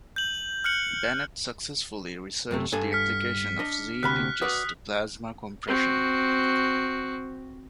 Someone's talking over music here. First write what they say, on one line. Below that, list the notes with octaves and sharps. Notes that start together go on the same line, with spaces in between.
Bennet successfully researched the application of Z-pinches to plasma compression.
G6 F#7
F6 F#6 C#7 F#7
F#2 C3 A3
G2 A4 G#5
F6 B6 C#7
D4 D#5
D2 C3 B5 F6 F#6 B6
F#4 B4 D5 D#6
C4 F#4